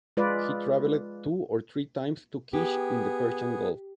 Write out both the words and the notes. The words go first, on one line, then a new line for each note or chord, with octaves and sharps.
He travelled two or three times to Kish in the Persian Gulf.
G#3 F4 B4 D5
B3 G4 G#4